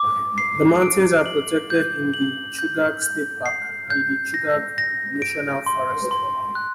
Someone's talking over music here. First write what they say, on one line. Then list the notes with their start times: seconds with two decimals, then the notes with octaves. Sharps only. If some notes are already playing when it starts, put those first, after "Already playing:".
The mountains are protected in the Chugach State Park and the Chugach National Forest.
Already playing: D6
0.38 C7
0.82 D7
1.26 F#7
1.70 G6
2.14 F#7
2.59 G6
3.02 G6
3.46 C7
3.90 G6
4.34 A#6
4.78 A#6
5.22 D7
5.66 C6
6.11 C6
6.55 F#6